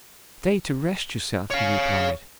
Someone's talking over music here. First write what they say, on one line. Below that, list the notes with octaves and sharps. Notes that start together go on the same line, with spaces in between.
'Stay to rest yourself,' he replied.
C#5 F5